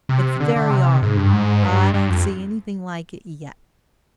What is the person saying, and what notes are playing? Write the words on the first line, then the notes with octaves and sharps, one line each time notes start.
It's very odd; I don't see anything like it yet.'
C3
D3
D3
C3
G#2
G2
G#2
G2
G2
F2